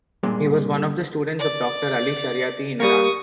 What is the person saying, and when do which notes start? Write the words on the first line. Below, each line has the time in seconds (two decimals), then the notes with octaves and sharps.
He was one of the students of Doctor Ali Shariati in Iran.
0.23 G2 A#2 G#3
1.39 D5
2.80 G3 A#3 C#6 D#6